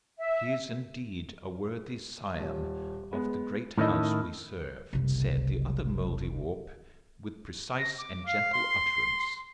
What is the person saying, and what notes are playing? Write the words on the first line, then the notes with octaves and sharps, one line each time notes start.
"He is indeed a worthy scion of the great house we serve," said the other Mouldiwarp with precise and gentle utterance.
E5
D#1
G#3 B3
A2 D#3 C#4 E4 A4 D#5
F#1 C2
A#6
D6
F5 C7
C6